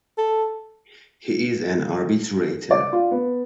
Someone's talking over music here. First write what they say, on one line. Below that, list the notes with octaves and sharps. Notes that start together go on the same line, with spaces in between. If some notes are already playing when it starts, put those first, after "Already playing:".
He is an arbitrator.
A4
D5
F4
B3